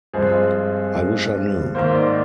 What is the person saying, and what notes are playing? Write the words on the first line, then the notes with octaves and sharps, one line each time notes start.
I wish I knew.
G2 F3 G#3 C4 G#4
G#2 D#3 A#3 C5
D5